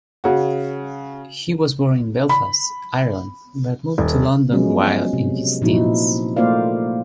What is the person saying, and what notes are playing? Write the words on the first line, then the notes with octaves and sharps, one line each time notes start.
He was born in Belfast, Ireland but moved to London while in his teens.
C#3 F#4
B5
D#1
F3 F#3 G#3 B3 C#4
C3
A#2 F3 D#4 E4 F#4
A3 A#3 F4 C5 D5 F5